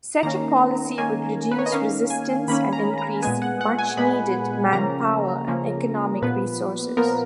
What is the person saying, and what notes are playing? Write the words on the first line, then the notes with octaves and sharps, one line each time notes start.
Such a policy would reduce resistance and increase much-needed manpower and economic resources.
D#3 A#3 C#4 A#5
D#3 A#3 C#4 G#5
B4
C#5
D#5
D#3 A#3 C#4 F5
G#5
D#3 A#3 C#4 B5
A#5
A#5
A#2 G#3 B3 G#5
F#5
F#5
G#5
A#2 G#3 B3 B5
C#3 F3 A#3 C#4 A#5
C#3 F3 A#3 C#4
A#2 F3 B3 B4
A#2 F3 B3 A#4